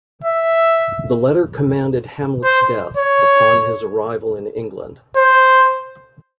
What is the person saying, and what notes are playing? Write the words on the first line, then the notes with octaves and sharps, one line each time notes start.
The letter commanded Hamlet's death upon his arrival in England.
E5
C5
C#5
C5